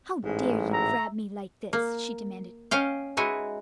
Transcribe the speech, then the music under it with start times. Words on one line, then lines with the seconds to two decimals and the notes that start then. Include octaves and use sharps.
"How dare you grab me like this?" she demanded.
0.24 A1 G#2
0.71 E5 A#5
1.73 A#3
2.71 C#4 D#5 F5 G5
3.17 G#3 D#4 E4 F#4 B4 G#5